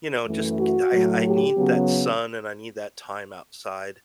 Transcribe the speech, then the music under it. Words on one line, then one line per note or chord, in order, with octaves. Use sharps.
you know, just c I I need that sun, and I need that time outside.
F#2 E3 A3
F#4
A2 F#3 A3
G4
C#3 F#3 B3